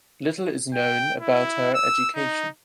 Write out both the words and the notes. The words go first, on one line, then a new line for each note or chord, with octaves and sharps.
Little is known about her education.
G5
E4
E6
D#4